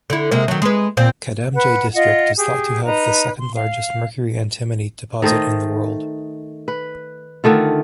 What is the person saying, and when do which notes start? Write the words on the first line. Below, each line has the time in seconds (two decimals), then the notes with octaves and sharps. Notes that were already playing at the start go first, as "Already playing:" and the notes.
Kadamjay district is thought to have the second largest mercury-antimony deposit in the world.
0.10 D3 E4
0.31 C3 G#3 A#3
0.48 D#3 F#3
0.62 G#3 B4
0.97 D#2 A#2 C4
1.54 B4 F#5
1.94 F4 D#5 F#5
2.37 G4 G#4
2.85 D#4 B4 A#5
3.40 C6
3.56 F5
5.22 D#3 A3 C5 D#5
6.68 B4
7.44 D3 D#3 A3 F4